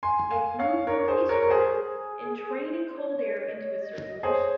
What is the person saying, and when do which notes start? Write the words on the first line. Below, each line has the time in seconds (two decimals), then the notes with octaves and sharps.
It moved northeastward, entraining cold air into its circulation.
0.03 G#5 C6
0.31 F5 G#5
0.59 C#5 F5
0.87 A#4 C#5
1.08 G#4 C5
1.29 A#4 C#5
1.42 A#4
1.50 G#4 C5
1.64 A#4
1.71 G#4
2.55 C5
2.86 C5
2.97 C#5
3.40 C#5
3.48 D#5
3.58 C#5
3.82 D#5
4.15 D#5
4.23 G#4 C5 C#5